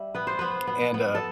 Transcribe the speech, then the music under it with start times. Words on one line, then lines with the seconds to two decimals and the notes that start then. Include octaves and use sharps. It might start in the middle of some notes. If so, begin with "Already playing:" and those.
And, uh,
Already playing: G3 E5
0.15 B3 B4
0.27 C5
0.39 B3 B4
0.67 B3
0.94 B3
1.15 A4